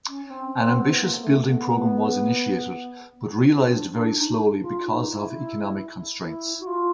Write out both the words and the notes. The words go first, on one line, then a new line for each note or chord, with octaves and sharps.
An ambitious building program was initiated, but realised very slowly because of economic constraints.
C#4
C#4
C4
C4
B3
A#3
A3
B3
C4
D4
D4
D#4
F4
D#4
E4
E4
F#4
F4